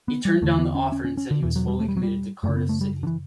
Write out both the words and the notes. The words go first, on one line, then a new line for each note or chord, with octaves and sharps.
He turned down the offer and said he was fully committed to Cardiff City.
B3
G3
E2 D3 A3
B3
C#4
C#4
C#4
C#4
D3
E2 B2 E3
F#3
G3
A3
G3
F#3
G3
F#2 A3
C#3
B3
A3
G3
D3
E3